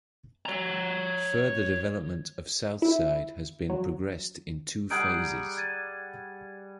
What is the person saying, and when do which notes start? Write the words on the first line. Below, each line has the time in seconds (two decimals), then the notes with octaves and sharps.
Further development of Southside has been progressed in two phases.
0.46 C#5 A#5
2.82 E4
3.69 F#3
4.90 G3 G#4 F#5 A#5 G6 D7
5.57 G#6 A6 D#7